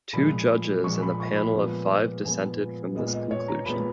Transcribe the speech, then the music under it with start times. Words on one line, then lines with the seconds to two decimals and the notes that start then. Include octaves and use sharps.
Two judges in the panel of five dissented from this conclusion.
0.13 A#2 F3 G#3 B5
0.84 A#2 F3 G#3 C#6
1.02 B5
1.20 C#6
1.37 B5
1.55 A#2 F3 G#3 B3
2.25 A#2 F3 G#3 B3 G#5
2.95 A#2 G#3 B3 D#5
3.13 D#5
3.31 C#5
3.48 A#5
3.65 A#2 G#3 B3 B5